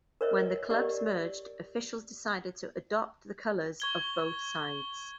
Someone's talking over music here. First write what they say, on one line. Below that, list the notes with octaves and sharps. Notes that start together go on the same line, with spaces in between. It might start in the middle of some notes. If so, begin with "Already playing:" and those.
When the clubs merged, officials decided to adopt the colours of both sides.
A#4 B4 C#5 D#5 E5
G4 A#4 D5 D#5
C#6 G#6 G7